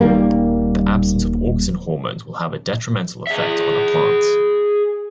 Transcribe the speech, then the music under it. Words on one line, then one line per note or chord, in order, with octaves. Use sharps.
The absence of auxin hormones will have a detrimental effect on a plant.
D#1 D#3 G3 A#3
G#4 E5